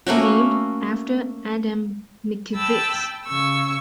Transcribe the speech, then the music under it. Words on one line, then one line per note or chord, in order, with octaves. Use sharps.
Named after Adam Mickiewicz.
A3 A#3 C#4 F#4
G5 A5 B5 E6
C#3 C#6 E6